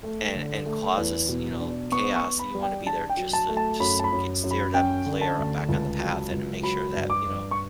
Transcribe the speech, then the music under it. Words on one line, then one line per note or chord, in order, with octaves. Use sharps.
and and causes, you know, chaos, you wanna be there just to, just get steer them clear back on the path and make sure that, you know,
A3
D3
A3
E2
B2
D4
B3 C#6
C#6
B3
B5
G3
G5
D4 A5
G5
F#3
A5
A3
A5
F#2 B5
A5
B5
F#2
F#2
B5
C#4 G5
D3
A5
D2
C#2
F#3
C#2
F#3 B5
G2
D6
G2
C#6